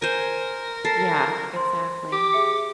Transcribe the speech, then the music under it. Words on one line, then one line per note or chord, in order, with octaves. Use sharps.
Yeah, exactly.
A#4 C5 G#5
A4 A6 C7
C5 C6
G4 D6
G#4 E5 C#7